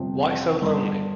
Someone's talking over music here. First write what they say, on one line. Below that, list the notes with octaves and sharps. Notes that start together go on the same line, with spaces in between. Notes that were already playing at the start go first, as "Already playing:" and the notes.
Why So Lonely?
Already playing: G1 F2 C3 F3 C4 G5
G1 G2 D3 C6